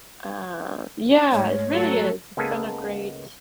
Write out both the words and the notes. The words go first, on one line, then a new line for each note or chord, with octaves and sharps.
Uh, yeah, it really is. It's been a great
G#2 G#3 A3 C#5
F#3 A3 A4
C#2 A#3 B3 G#4 A4 G#5